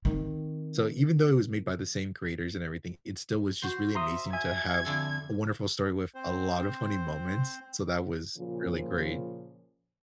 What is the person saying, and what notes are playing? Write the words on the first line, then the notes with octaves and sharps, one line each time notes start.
so even though it was made by the same creators and everything, it still was just really amazing to have a wonderful story with a lot of funny moments, so that was really great.
D#3 C4
F#4 C5
E5 A#5 C6 D#6
E5 G#5 G#6
F2 D3 A4
C4 C5
A#2 C#3 F3